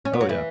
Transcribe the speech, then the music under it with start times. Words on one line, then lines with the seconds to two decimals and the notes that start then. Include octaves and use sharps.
Oh, yeah.
0.05 C#4
0.13 B3
0.21 F#3
0.29 E3